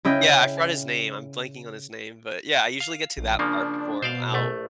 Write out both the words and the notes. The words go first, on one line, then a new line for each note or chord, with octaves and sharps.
Yeah, I forgot his name. I'm blanking on his name. But, yeah, I usually get to that part before I'm out.
C#3 E4 D#5 G5
F5
A#1
C#3 F3 A#3 D4
B2 C5 D5 F5
A#1 A3